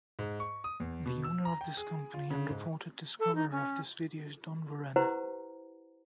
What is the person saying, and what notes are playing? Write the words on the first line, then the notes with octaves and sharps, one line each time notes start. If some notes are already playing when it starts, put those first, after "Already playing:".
The owner of this company and reported discoverer of this video is Don Warrener.
G#2
C#6
D#6
E2
B2
E6
A#5
G5
G#4
F4
C#3
G#2
A4
D#4
C#4
E4 G4 B4 C5 F#5 A#5